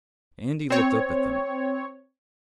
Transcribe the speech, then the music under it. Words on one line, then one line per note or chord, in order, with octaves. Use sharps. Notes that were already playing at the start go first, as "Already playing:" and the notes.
Andy looked up at them.
C4 C#5